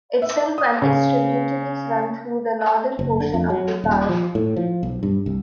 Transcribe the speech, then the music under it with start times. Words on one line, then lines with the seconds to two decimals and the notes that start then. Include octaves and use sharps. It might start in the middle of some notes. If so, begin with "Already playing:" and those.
Itself and its tributaries run through the northern portion of the park.
0.22 E5
0.58 D#6
0.82 C#3
2.99 F#1
3.20 D3
3.34 F2
3.50 F#3
3.84 D#1
4.09 F3
4.35 A2
4.56 F3
4.83 B1
5.03 G2
5.26 C2